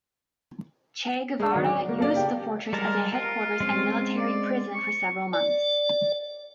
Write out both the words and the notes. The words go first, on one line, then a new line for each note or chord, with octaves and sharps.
Che Guevara used the fortress as a headquarters and military prison for several months.
G#3 D4
D#3 F#3 F#4 D5 F#5
D5 D6
F#3 A#3
A#3 A4 D5
C#3 G4 G5
G3 G#3 A#4 A5
F4 A#4
G#3 C4 C#4
D5
C#6
D5